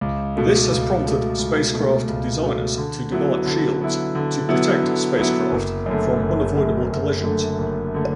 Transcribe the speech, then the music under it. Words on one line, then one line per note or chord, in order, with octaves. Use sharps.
This has prompted spacecraft designers to develop shields to protect spacecraft from unavoidable collisions.
C#2
B2 A3
C#2
B2 A3
C#2
B2 A3
C#2
B2 A3
D3
F#3 B3 E4
D3
F#3 B3 E4
D3
F#3 B3 E4
D3
F#3 B3 E4
F#1
F#2 D3 A3
F#1
F#2 D3 A3
F#1
F#2 D3 A3
F#1
D3 A3